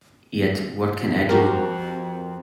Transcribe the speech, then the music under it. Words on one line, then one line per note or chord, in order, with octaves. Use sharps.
Yet what can I do?
F2 F#4 G4 A#4 C5